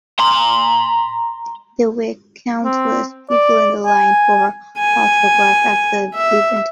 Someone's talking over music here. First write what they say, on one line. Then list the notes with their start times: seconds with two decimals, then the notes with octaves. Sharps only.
There were countless people in line for her autograph after the event.
0.19 A#5 C6
2.64 C4
3.31 D5
3.86 G#5
4.78 G#5
6.15 E5